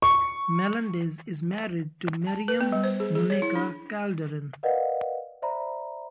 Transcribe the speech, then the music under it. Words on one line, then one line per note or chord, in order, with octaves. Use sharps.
Melendez is married to Miriam "Muneca" Calderin.
C#6
A5
B4
B3
G3
C5
G#4
G#4
C#5
E4
D4
A#4 B4 D5 D#5 F5 F#5
C5 D5 E5 A#5 B5